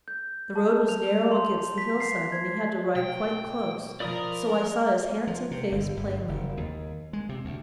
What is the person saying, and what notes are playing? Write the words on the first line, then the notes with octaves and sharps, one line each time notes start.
The road was narrow against the hillside and he had to ride quite close, so I saw his handsome face plainly.
G6
A5
F7
C6
B6
C7
G#6
B2 G5
F3 F4 A#4 D5 A#5 B5 D#6
F3
C3
G1
G1
F#1
D#2
G#3
C3
D2